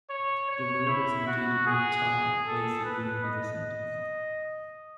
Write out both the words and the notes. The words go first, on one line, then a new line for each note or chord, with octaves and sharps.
The verb is negated with "ta", placed at the end of the sentence.
C#5
C#5
E4
F#4
G#4
A4
B4
D#5